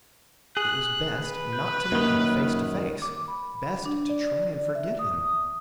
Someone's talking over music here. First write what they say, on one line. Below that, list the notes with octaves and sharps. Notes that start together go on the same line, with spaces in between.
It was best not to meet him face to face! Best to try and forget him!
G#4 F#6
B4
G6
F#2 D#3 A#3
D6
B5
D4
D5
E5
D#6